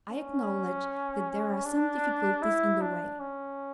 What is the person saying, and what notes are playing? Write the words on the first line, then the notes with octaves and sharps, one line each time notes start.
I acknowledge that there are some difficulties in the way.
C#4
D4
E4
D4
C#4